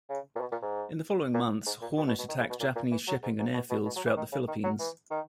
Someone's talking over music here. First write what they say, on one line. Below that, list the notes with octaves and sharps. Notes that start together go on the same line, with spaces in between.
In the following months, "Hornet" attacked Japanese shipping and airfields throughout the Philippines.
C#3
A#2
B2
A#2
G#2
A#2
G#2
A#2
B2
B2
B2
D#3
C#3
B2
A#2
A#2
E3
F#3
G#2
G#2
B2
B2
B2
F#3
E3
D#3
C#3
D#3
F#3
E3
D#3